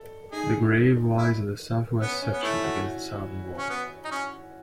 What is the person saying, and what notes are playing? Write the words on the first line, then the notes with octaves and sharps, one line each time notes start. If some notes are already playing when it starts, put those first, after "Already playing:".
The grave lies in the south-west section, against the southern wall.
Already playing: A4
D#4 G#4
E4
B3 C#4
C#4
B3
A3 E4
E4
F#4
C#4
B3
D#4
C#4